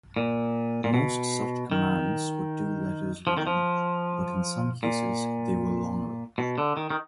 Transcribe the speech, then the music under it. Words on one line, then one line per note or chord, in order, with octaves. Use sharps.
Most such commands were two letters long, but in some cases they were longer.
A#2
A#2
B2
D#3
F3
D#3
F3
A#2
B2
D3
D#3
D#3